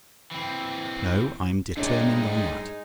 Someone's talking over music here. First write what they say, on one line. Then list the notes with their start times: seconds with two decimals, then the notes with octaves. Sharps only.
No: I'm determined on that.
0.31 E3 C4
1.77 G2 G#3 A3 D4 D#4 C#5 D5